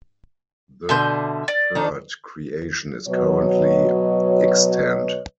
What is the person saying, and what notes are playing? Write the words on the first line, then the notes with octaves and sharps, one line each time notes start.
The third creation is currently extant.
B2 D3 E5 C6 G6
D5
D#3 D4 D#4
B2 F#3 B4 C#5 D#5